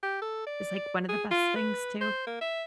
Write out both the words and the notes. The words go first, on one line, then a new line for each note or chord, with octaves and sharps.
is, like, one of the best things, too?
G4
A4
D5
G#4
F4
B4
C5
A#3
E5